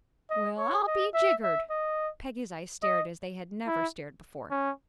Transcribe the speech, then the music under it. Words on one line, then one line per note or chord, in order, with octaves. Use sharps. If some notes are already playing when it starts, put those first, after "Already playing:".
"Well, I'll be jiggered!" Peggy's eyes stared as they had never stared before.
D#5
C#5
D#5
E5
E5
D#5
D#5
E4
C#4